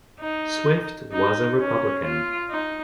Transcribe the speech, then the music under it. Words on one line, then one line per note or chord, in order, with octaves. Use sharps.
Swift was a Republican.
D#4
D#4
C#4
F4
D#4